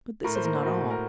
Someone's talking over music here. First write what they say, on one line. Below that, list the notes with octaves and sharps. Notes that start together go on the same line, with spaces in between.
But this is not all.
A2 A#4
C5
A#3 A#4
C5
A2 F#4 A#4
A2
A#4